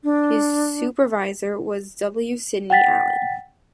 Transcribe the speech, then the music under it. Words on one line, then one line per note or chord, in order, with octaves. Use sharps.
His supervisor was W. Sidney Allen.
D4
F#5 G5 A6 B6